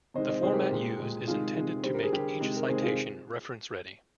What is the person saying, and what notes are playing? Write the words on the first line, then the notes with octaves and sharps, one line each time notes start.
The format used is intended to make each citation reference-ready.
C3 D#3 G#3 C5 D#5
C5 D#5
C3 D#3 G#3 G#4 C5
G4 A#4
G4
A#2 G#3
A#2 G#3
C3 D#3 G#3 F4 G#4
C3 D#3 G#3
D3 G3 C5
A#4
G#4
D3 G3 G4 A#4
C3 D#3 G#3
A#4
C3 D#3 G#3 G#4 C5
F4 G#4